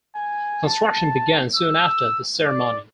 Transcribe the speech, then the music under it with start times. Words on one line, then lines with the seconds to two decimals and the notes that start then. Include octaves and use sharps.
Construction began soon after the ceremony.
0.16 G#5
0.66 A5
1.56 E6
2.45 D5